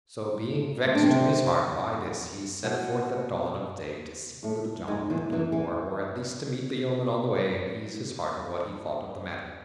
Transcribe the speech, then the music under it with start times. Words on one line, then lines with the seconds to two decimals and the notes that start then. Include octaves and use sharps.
So, being vexed to his heart by this, he set forth at dawn of day to seek Little John at the Blue Boar, or at least to meet the yeoman on the way, and ease his heart of what he thought of the matter.
0.86 C4
0.95 D4
1.03 C3 C4
2.64 B2 B3
4.43 A2 A3
4.88 G#2 G#3
5.10 E2 E3
5.32 E2 E3
5.52 E3